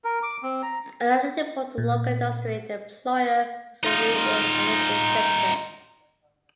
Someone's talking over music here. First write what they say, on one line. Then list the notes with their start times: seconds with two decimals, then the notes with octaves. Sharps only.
Another important local industry and employer is the renewable energy sector.
0.04 A#4
0.23 D6
0.43 C4
0.63 A#5
1.78 A#2
3.84 D#4 F4